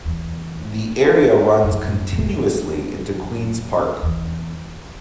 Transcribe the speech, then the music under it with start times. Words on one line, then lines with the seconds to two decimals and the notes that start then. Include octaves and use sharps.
The area runs continuously into Queens Park.
0.05 E2
1.64 F#2
3.18 E2
3.23 F#2
4.03 E2